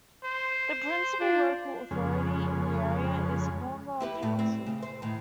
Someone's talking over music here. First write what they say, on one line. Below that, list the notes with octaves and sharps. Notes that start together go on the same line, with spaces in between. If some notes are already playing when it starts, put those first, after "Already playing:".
The principal local authority in the area is Cornwall Council.
C5
D4 F4
F2 C#3 G#3
E4 G4 B4
E2 A2
C4
C#3
C5
A2 D#3